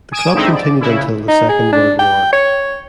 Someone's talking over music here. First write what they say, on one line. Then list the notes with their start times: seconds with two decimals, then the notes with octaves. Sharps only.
The club continued until the Second World War.
0.12 G#5 D#6 D7 E7
0.34 G#2 D3 C4 D#4 E4
0.54 D5
0.81 C#3 E4
1.28 D#4
1.49 G#4
1.73 D4
1.99 G5
2.33 C#5